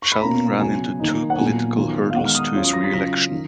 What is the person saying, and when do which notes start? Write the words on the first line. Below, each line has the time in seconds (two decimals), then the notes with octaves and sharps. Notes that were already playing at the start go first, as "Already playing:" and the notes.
Sheldon ran into two political hurdles to his re-election.
0.02 C#6
0.12 B5
0.22 B2 A#3 C#4 F4 A#5
0.60 C#3 F#3 B3 G#5
1.00 D#3 A#3 D#4
1.30 F#5
1.38 A#2 F#3 B3 G#5
1.77 D#3 F#3 B3 F4
2.10 F5
2.16 D#3 G#3 B3 D#4 F#5
2.25 F6
2.35 D#6
2.54 F#3 C#4 F4
2.64 D#6
2.73 A#6
2.84 B6
2.94 C#3 F#3 C#4 F4 A#6
3.32 D#3